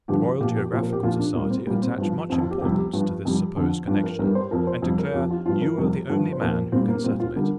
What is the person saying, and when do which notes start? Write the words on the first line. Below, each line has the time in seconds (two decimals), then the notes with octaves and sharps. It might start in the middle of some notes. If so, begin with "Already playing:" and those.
The Royal Geographical Society attach much importance to this supposed connection, and declare you are the only man who can settle it.
0.08 G2 D3 F3 G4
0.41 A#2 G4
0.44 F3
0.56 G4
0.72 A#2 F3 C5
0.82 A#4
0.93 G4
1.03 A#2 F3 F4
1.19 D4
1.35 A#2 A#3
1.39 G3
1.50 C4
1.67 A#2 G3 A#3
1.82 C4
1.98 G2 F3
2.29 F2 F3 C4
2.41 F4
2.51 G4
2.61 F2 C3 G3 G4
2.78 G4
2.93 G2 F3
3.25 F2 C3 G3
3.56 F2 D3 F3 F4
3.87 G2 D4
3.91 F3
4.03 A#4
4.19 G2 A#4
4.24 G3
4.35 C5
4.51 F2 F3 A#4
4.67 C5
4.82 F2 C3 G3
4.99 A#4
5.14 F2 F3 G4
5.31 F4
5.46 G2 F3 F4
5.62 A#4
5.78 F2 C3 G3
6.09 G2 D3 F3
6.32 C5
6.41 A#2 F3 A#4
6.72 A#2 C4
6.75 G3
6.88 A#3
7.04 A#2 G3 C4
7.20 F4
7.36 D3 G3 A#4